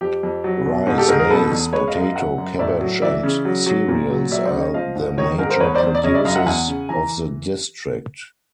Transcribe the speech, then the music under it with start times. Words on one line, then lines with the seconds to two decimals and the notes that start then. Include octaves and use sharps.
Rice, Maize, Potato, Cabbage and cereals are the major produces of the district.
0.01 F2 G4
0.23 F2
0.44 F#3
0.66 B2
0.87 G#2
0.98 G4 A4
1.08 G#2 G#4 A#4
1.19 G#4 A#4
1.30 B2 A4 B4
1.52 E2
1.73 G#3 B4 C#5
1.88 D#5 F5
1.95 F#2
2.01 D#5 F5
2.16 F#3 E5 F#5
2.38 F#2
2.59 A2 D5 E5
2.81 F#3
3.02 E3 D5 E5
3.23 C#3
3.45 F#3
3.66 F#3
3.88 A#2
4.10 F#3
4.31 F#3 D5 E5
4.46 C5 D5
4.53 C#3
4.60 C#5 D#5
4.74 F3 D#5 F5
4.96 G#2
5.17 D#3 C#5 D#5
5.38 G#2 G#4 A#4
5.50 A#4 C5
5.60 E2 B4 C#5
5.75 C5 D5
5.83 E2
5.95 D5
6.04 C#3 C#5 D#5
6.14 D5 E5
6.25 F#2 D#5 F5
6.35 E5 F#5
6.46 E2 F#5 G#5
6.68 C#3
6.89 E3 G#5 A#5